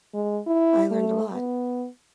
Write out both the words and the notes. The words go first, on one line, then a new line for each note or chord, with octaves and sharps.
I learned a lot.
G#3
E4
A3
B3